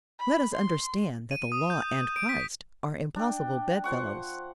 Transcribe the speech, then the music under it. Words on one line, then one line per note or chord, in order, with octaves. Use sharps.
Let us understand that the Law and Christ are impossible bedfellows.
B5
C6
D#7
D#6
G6
D7
B6
D4 G5
F3 C5 F#5 C#6